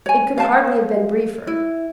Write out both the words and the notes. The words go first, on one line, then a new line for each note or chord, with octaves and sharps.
It could hardly have been briefer.
C#5 G#5
F5 A5
E4